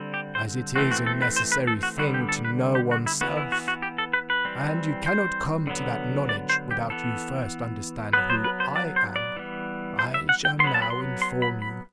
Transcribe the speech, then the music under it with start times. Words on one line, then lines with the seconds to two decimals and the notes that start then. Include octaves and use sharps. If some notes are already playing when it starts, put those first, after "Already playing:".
As it is a necessary thing to know one's self, and you cannot come to that knowledge without you first understand who I am, I shall now inform you.
Already playing: D3 G3 C4
0.14 G4
0.35 C5
0.76 E3 A3 C4 F#4
0.91 F#4
1.06 A4
1.22 B4
1.36 C5
1.52 B4
1.67 A4
1.83 F#4
1.98 D3 G3 B3 F#4
2.14 G4
2.29 A4
2.45 B4
2.75 G4
2.91 F#4
3.06 E4
3.21 E3 B3 F#4
3.37 E4
3.52 F#4
3.68 F#4
3.82 G4
3.98 A4
4.13 B4
4.30 B4
4.45 E3 G3 C4
5.06 C5
5.67 D3 F#3 B3
6.29 D5
6.49 C5
6.71 G4
6.90 E3 B3 A4
8.13 F#3 B3 B4
8.30 C5
8.44 B4
8.60 C5
8.76 D5
8.96 C5
9.16 D5
9.37 E3 G3 B3
9.99 C5
10.14 E5
10.29 F#5
10.45 G5
10.59 B3 C6
10.64 F#3 B5
10.74 A5
10.82 B5
10.90 C6
11.22 C6
11.42 B5
11.62 B5